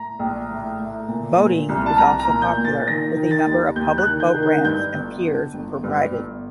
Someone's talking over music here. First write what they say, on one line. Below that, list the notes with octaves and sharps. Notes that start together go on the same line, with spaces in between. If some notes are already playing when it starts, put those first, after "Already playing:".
Boating is also popular, with a number of public boat ramps and piers provided.
Already playing: A2 A#5
A#1
A2
A2
A#2
A#2
C2
A5
C2 A#5
A#5
A#2
G6
A#2
A6
D#3 A#6
D#3
A6
D#2
D#2 G6
F#6
D#3
G6
D#3
G6
G2 G6
G1
D3
G1
G2
G1